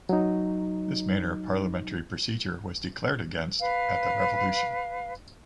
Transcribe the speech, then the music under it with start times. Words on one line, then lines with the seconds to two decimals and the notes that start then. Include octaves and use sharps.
This manner of parliamentary procedure was declared against at the revolution.
0.09 F#3 D#4
3.59 B4 F5